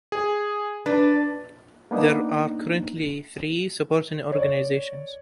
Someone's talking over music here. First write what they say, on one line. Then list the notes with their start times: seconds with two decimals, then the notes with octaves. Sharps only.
There are currently three Supporting Organizations.
0.12 G#4
0.86 D4 B4
1.91 A#3 B3 D4 D#4
4.32 C#5 D5